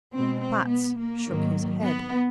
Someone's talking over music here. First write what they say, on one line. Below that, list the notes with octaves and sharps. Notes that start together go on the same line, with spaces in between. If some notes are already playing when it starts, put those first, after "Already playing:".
Platts shook his head.
B2 G#3 C4
C4
B3
A#3
G#2 D#3 F#3
B3